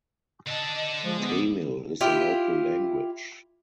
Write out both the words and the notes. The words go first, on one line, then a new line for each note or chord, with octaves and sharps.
Tamil is the local language.
D3 D#5 A5
F3 G#3
B3
E4 F4 G4